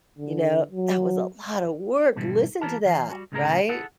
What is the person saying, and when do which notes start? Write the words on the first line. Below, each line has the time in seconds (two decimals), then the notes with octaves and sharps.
you know, "That was a lot of work, listen to that," right?
0.19 D3
0.71 F#3
2.15 G#2 B2 D3 E3 G3
2.61 E3 E4 G4 A#4 B4 A5
2.86 E3 F5
3.09 G3 F#4 B4
3.32 C#2 A2 C#3 G#3 G#4 A#4
3.69 E4 G#4 A4 F#5